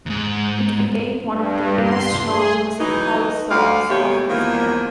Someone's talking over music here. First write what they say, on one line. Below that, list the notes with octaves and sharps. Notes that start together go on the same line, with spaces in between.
It became one of the best known music hall songs of its era.
D#2 G#2
G2
C6
G#4
E3 F#3 D#4
D2 F5
D#2 B2 A3 G4 C#5
E2 D#3 F3 A#3